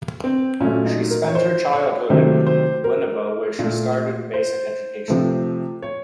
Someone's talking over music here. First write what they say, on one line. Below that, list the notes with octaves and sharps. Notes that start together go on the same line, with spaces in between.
She spent her childhood in Winneba where she started basic education.
C4
A#2 F#3 A3 C#4
D#4
A#4
C#5
C5
C#5
C3 D#3 F#3 A3 C5
C5
A#4
A#2 A3
C5
C3 F3 A3
C#5